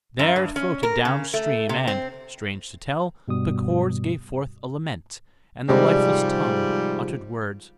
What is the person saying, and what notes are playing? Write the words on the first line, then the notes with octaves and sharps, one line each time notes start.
There it floated down stream and, strange to tell, the chords gave forth a lament, and the lifeless tongue uttered words.
F#2
G2
C#4
A#4
C#3
A3
C3
C4
G2 B2 G3 D#6
G#2 C3 F3 G3 G#3 C4